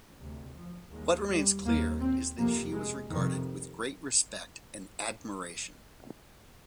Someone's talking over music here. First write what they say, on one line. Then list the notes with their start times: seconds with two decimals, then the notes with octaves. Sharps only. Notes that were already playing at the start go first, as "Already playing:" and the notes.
What remains clear is that she was regarded with great respect and admiration.
0.19 D2 C3
0.55 F3
0.91 D#2 G#3
1.28 G3
1.64 D#2 A#3
2.01 C4
2.37 F2 C3 A#3
2.74 G#3
3.10 F2 C3 D#3